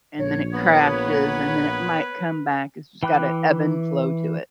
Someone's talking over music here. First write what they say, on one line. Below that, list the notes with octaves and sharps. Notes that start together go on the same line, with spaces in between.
And then it crashes and then it might come back, it's just got an ebb and flow to it.
A#1 C#5
A#3 B3 B4
E3 G5 B5 D6 F#6